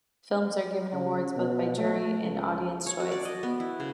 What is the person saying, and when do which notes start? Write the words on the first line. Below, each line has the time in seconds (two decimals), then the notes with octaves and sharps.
Films are given awards both by jury and audience choice.
0.93 C#3
1.36 B2
1.78 A3
2.19 C#2
2.86 C#5
3.00 F#4
3.12 D5
3.25 D#5
3.43 B3
3.60 E4
3.80 C#3